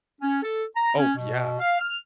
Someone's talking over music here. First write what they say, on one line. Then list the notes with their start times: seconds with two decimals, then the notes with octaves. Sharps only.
Oh, yeah.
0.21 C#4
0.43 A4
0.76 A#5
0.98 C#4
1.16 B2
1.59 F5
1.78 F6